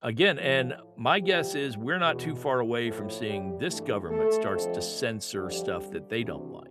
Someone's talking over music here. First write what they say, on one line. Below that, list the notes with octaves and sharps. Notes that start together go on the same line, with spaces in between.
again and my guess is we're not too far away from seeing this government starts to censor stuff that they don't like.
A2 F3
E2 C3 F3 G3 G4
E2 B2
A2 F3 A3 A4
G3 G4
G2 E3 A3 A4
A3 A4
F2 D3 F3
F2 D3 F3 G3 G4
D2 C3 E3